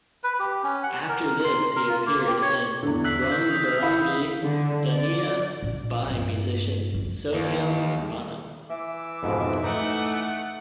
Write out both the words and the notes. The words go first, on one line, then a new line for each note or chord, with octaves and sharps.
After this, he appeared in "Rung Barangi Duniya" by musician Sohail Rana.
B4
G4
C#4
F#5
A#4
C6
A#4
F4
A#3
G4
C#5
E2 D3
E6 F#6 B6 C7
G6
D#6 G6 B6
E4 F5 B5
D3
D5
A#1
G2
F#2
D#2
E3 E5 D6
F2 G#2 B2
A3 D#4 F#5